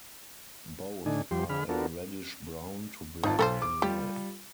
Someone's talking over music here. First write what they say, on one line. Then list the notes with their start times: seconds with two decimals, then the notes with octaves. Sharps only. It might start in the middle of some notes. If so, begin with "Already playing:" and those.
Both are a reddish brown to black in life.
1.06 A2 D3 D4 D#4 G#5
1.31 F2 F3 G3 G4 C6
1.49 D3 G#4 B5 F6
1.69 B3 D4 F4 F#4 A4 A#4
3.23 G#1 D#4 F4 A5
3.39 B1 A4 A#4 C5
3.62 D6
3.82 G3 F4 G4